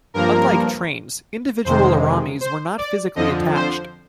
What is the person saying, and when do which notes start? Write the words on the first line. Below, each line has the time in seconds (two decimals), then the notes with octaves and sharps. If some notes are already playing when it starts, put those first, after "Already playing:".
Unlike trains, individual Aramis were not physically attached.
0.14 G2 F3 A#3 A#4
1.65 F2 C3 D#3 G#3 C5
2.41 C5
2.78 D5
3.15 F2 D3 F3 D#5
3.54 C5